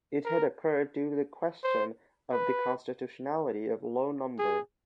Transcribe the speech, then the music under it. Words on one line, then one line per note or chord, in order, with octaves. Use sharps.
It had occurred due to the question of the constitutionality of Law no.
A#4
C5
B4
G#4